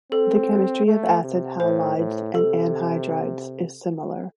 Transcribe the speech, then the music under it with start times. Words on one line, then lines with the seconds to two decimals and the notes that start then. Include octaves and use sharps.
The chemistry of acid halides and anhydrides is similar.
0.12 C4 A4
0.86 A3
1.23 C3
1.60 A2 C5
1.97 A2
2.34 C3 A4